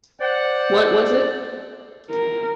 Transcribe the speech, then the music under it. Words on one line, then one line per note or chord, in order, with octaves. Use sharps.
What was it?
C5 D5 F#5
A#4